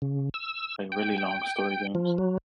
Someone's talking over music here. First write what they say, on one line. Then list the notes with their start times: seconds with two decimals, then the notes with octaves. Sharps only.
Like, really long story games.
0.02 C#3
0.34 E6
0.92 G5
1.18 G5
1.95 F3
2.18 F#3